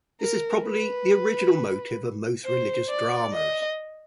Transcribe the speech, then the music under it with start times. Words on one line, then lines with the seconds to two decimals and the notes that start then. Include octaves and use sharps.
This is probably the original motive of most religious dramas.
0.21 A#4
0.65 B4
2.45 C5
2.89 D5
3.34 D#5